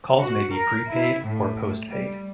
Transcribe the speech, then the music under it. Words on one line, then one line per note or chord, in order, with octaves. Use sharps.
Calls may be prepaid or postpaid.
F#4
A#4
E4
A2
G3